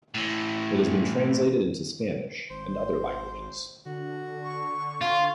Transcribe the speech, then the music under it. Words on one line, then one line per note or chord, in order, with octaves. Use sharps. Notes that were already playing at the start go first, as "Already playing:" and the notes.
It has been translated into Spanish and other languages.
A2 E3
G#1 C5
D3 F#4
C#6
F4 F5